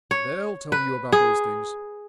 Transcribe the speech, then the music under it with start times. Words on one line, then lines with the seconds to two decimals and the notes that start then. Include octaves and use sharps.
They'll tell you about those things.
0.11 C#5
0.72 B4
1.12 G#4